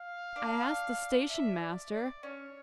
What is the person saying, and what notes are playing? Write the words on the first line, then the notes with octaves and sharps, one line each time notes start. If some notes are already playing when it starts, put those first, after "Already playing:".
I asked the station-master.
Already playing: F5
D4
E5
D5
D5
C#4 C#5